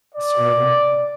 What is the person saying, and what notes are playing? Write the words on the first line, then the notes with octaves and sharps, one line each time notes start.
That's terrible.
D5